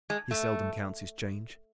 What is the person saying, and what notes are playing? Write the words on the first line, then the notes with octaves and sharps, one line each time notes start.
He seldom counts his change.
G#3
A3